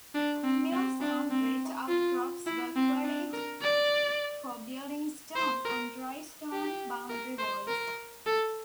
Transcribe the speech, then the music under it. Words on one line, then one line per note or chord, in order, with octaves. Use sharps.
Millstone grit outcrops were quarried for building stone and dry stone boundary walls.
D4
C4
C4
D4
C4
F4
E4
C4
D4
A#4
D5
C5
A#4
G4
A#4
C5
A#4
A4